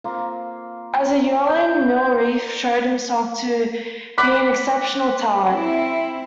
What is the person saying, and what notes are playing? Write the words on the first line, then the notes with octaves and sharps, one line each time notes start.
As a yearling Mill Reef showed himself to be an exceptional talent.
A#3 C4 F4
G6
D5 A#5
F#5 B5 D6
C4 E4